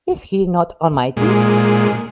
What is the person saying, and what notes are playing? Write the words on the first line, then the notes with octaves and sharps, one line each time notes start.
Is he not almighty?
A#2 G#3